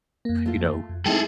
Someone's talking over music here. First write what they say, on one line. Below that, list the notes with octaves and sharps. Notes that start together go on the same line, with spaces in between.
you know,
F2 A#3
A3 F4
F2
G#3 A3 C4 D#4 E4 G#4 A4 G5